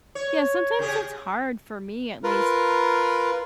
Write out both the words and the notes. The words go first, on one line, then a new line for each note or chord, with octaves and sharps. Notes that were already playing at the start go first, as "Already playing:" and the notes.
Yeah, sometimes it's hard, for me, at least,
C#5
C#3 G4 G#4
F4 A#4 B4